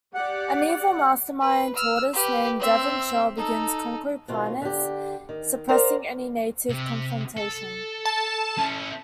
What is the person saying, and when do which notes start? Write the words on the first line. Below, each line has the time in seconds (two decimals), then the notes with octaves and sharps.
An evil mastermind tortoise named Devan Shell begins conquering planets, suppressing any native confrontation.
0.14 G4 D5 F#5
1.41 B4
1.75 E6 F6
2.13 G4 B4
2.60 C4 E5
3.37 D#4 A4
4.28 B2 D#3 C4 F4
4.62 D3 G4
5.29 D#3
5.69 A#4 C5 D5 F#5 A#5
6.69 C3
7.37 A4
8.05 A5
8.58 C#4 E4